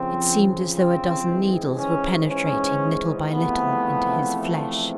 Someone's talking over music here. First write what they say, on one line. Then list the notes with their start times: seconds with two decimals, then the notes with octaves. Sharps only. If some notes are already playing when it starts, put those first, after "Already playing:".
It seemed as though a dozen needles were penetrating little by little into his flesh.
Already playing: F2 C#3 F3 C4
0.74 C4
1.25 G#2 E3 G#3
1.77 C#4
2.28 C#4
3.31 E2 C3 F3 A3 B3